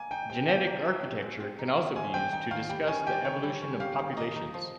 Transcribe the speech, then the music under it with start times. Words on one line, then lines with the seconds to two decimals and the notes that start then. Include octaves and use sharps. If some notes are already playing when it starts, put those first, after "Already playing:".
Genetic architecture can also be used to discuss the evolution of populations.
Already playing: A#3 G#5
0.11 D#4 G5
0.30 C3 G5
0.48 F3 G5
0.67 A#3
0.85 D#4
1.04 C3
1.22 G#3
1.40 C4
1.59 D#4
1.77 D#3
1.96 G#3 G#5
2.14 C4 G5
2.33 D#4 G5
2.51 D#3 F5
2.70 G3 G5
2.88 C#4 G#5
3.07 G4 G5
3.25 D#3 C#5
3.43 G3
3.62 C#4
3.80 G4 F5
3.99 D#3
4.17 A#3 D#5
4.36 D#4
4.54 F3